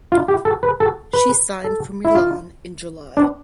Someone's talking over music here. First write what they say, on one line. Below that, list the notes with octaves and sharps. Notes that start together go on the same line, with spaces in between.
She signed for Milan in July.
F4
G4
A4
B4
A4
B4
A4
E4
F4
D4